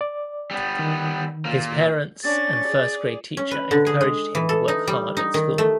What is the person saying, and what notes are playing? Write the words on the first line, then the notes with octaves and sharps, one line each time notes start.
His parents and first grade teacher encouraged him to work hard at school.
D5
G3 B3
D#3
A#2 A#3
C#4 D4 A6
G#4 D5
C#4
B4
D3
G#4
G#3
E3
A4
D#4
G3
D#4
D#3
A3